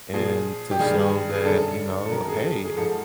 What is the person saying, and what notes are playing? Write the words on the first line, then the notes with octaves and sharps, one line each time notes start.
and to show that, you know, "Hey,
A#2 F3 G#4
G4
G2 D#3 G3 G#4
G#4
F#2 D3 G3 A4
A4
F#2 D#3 F#3 A#4
G#4
A4
G#4
G#2 F3 A4